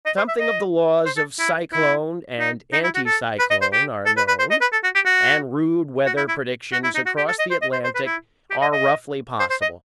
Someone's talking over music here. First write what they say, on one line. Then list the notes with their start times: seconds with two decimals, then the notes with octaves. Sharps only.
Something of the laws of cyclone and anticyclone are known, and rude weather predictions across the Atlantic are roughly possible.
0.06 D#5
0.17 C5
0.28 E5
0.39 D#5
1.06 C5
1.17 A4
1.39 E4
1.72 E4
2.39 D#4
2.73 D#4
2.84 E4
2.95 F#4
3.06 A4
3.39 B4
3.50 D#5
3.61 C5
3.72 G4
4.06 A4
4.17 B4
4.28 B4
4.39 C5
4.51 D#5
4.61 B4
4.72 A4
4.84 F#4
4.95 G4
5.06 F#4
6.06 F#4
6.17 E4
6.28 E4
6.72 F#4
6.84 E4
6.95 D#4
7.06 F#4
7.17 G4
7.28 A4
7.39 D#5
7.51 C5
7.61 D#5
7.73 C5
7.84 C5
7.95 B4
8.06 E4
8.50 G4
8.62 D#5
8.73 D#5
9.39 C5
9.50 C5
9.62 D#5